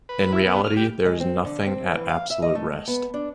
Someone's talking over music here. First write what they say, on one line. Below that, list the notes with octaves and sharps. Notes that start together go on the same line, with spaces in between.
In reality, there is nothing at absolute rest.
B4
E4
B3
F6
G4
G#3
C4
D3
C4
E3
F5
E5
D#5
A3
G#3
B3
D4